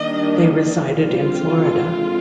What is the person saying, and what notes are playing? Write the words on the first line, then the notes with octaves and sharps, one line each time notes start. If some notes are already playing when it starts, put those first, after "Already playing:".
They resided in Florida.
Already playing: D#3 G3 A#3 D4 D#5
D3 G3 C4 F4
D3 G#3 C4